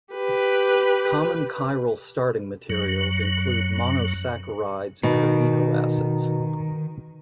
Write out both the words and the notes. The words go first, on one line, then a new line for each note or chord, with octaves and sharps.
Common chiral starting materials include monosaccharides and amino acids.
G4 B4
F#2 F#3
B2 D#3